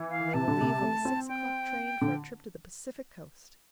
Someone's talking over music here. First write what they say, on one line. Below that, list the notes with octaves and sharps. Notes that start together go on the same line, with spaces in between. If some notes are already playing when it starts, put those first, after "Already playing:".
And they will leave on the six o'clock train for a trip to the Pacific coast.
Already playing: E3
F5
C3 A5
D3
C3
A3
C4
G5
D3